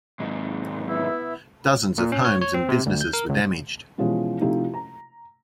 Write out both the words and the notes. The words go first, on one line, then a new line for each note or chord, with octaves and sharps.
Dozens of homes and businesses were damaged.
D#2 G#2
B3 E4 E5
A#2
C#4
C#5
C#5
C4
C3
D2
G6
A#4
C#2
B2 E3 F3 G#3 C#4
C3 F3 A3 D#4 E4 G4
A#5